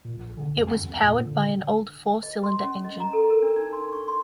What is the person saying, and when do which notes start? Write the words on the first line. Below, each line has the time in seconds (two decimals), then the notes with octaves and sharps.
It was powered by an old four cylinder engine.
0.05 A#2
0.17 A#1
0.37 D3
0.56 F2
0.76 F#2
0.89 E2
1.04 A#2
1.26 D3
2.23 D#5
2.43 C6
2.64 C#4
2.85 D#5
3.00 A#5
3.13 A4
3.30 A#4
3.42 D4
3.56 D#4
3.73 C6
3.93 C#6
4.08 C6